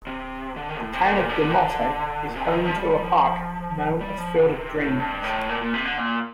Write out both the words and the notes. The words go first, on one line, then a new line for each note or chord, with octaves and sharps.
The town of DeMotte is home to a park known as Field of Dreams.
C3
D3
D#3
A2
C3
A2
A#2
D3
D#3
D3
A#2
C3
D3
D#3
F3
G3
G3
F3
G3
F3
D3
C3
A2
G2
A2
A#2
A#2
C3
D3
A#2